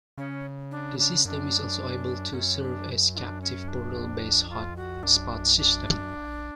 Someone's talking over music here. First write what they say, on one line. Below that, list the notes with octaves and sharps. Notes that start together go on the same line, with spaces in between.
The system is also able to serve as a captive-portal-based hotspot system.
C#3 C#4
D4
D4
F#2 D4
F#2 C#4
D4
F4
D4
C#4
D4
F2
F4
F#4
F#2 D4
D4